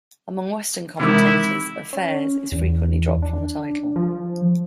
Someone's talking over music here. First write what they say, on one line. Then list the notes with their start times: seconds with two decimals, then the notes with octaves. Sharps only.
Among Western commentators, "Affairs" is frequently dropped from the title.
1.00 C3 D#3 E3 G#3 E4 D6
1.93 C#4
2.52 E2
3.22 D4
3.96 F3